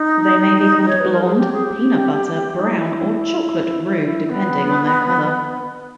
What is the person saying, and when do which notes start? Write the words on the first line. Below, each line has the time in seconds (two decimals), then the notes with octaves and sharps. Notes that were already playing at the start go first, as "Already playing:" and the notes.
They may be called "blond", "peanut-butter", "brown" or "chocolate" roux depending on their color.
Already playing: D#4
0.88 C#5
1.00 B4
1.13 A#4
1.24 G#4
1.37 G4
1.53 G#4
1.64 G4
2.59 D#4
2.70 E4
4.30 B3